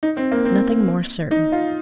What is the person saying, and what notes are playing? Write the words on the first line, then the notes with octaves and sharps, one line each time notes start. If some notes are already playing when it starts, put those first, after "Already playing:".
Nothing more certain.
D#4
C4
A#3
C4
D#4
F4